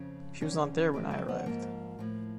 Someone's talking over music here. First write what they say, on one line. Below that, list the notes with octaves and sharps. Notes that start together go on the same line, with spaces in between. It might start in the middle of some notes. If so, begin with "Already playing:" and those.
She was not there when I arrived.
Already playing: F2 C#3 F3
E2 C#3 F3 C#4
F2 C#3 F3 C4
C4
B3
G#2 F3 A#3
A2 F3